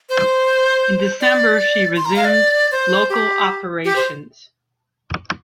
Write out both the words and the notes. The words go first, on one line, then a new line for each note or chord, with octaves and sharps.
In December, she resumed local operations.
C5
D5
C6
A#5
F5
D5
C5
G4
G4
C5